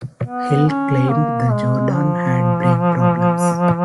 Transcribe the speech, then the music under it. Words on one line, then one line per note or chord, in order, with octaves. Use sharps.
Hill claimed the Jordan had brake problems.
B3
C#4
A#3
G#3
F3